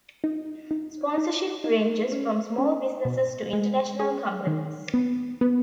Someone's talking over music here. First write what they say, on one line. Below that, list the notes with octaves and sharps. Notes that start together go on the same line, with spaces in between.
Sponsorship ranges from small businesses to international companies.
D#4
D#4
D#4
D#4
C#4
C#4
B2
G#3
G#4
D#3
B3
B3